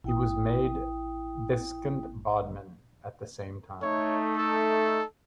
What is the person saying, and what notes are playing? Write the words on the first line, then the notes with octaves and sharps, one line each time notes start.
He was made Viscount Bodmin at the same time.
A1 E4 G5 D#6
A3 D#4 C#5
A4